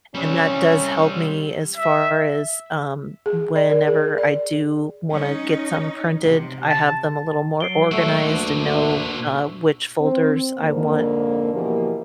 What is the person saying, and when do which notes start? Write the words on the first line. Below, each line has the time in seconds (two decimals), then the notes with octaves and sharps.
and that does help me, as far as, um, whenever I do wanna get some printed, I have them a little more organized and know, uh, which folders I want
0.15 G3 C4 C#4
1.77 E5
3.26 G#4
3.56 D5
3.70 A#4
3.87 G#4
4.18 D5
5.11 C#4 D#4
6.24 C3
6.69 A5
7.60 F#3 C7 D7 G7
7.92 A#2 A3 F#4 C#6 E6
8.24 D2 D4
10.01 C4
10.59 F2 G#2 D3 A#3
11.53 B2 E3 F3 A#3 G4